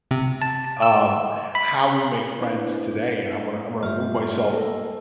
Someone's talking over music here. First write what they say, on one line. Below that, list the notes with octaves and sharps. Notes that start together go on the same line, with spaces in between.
um, how we make friends today and I'm gonna I'm gonna move myself
C3
A5
E6
B5
B3 D4 E4 B4 C5
G2 G3 A3 F4 G4 E5 F6
A#3 A4 A#4 G5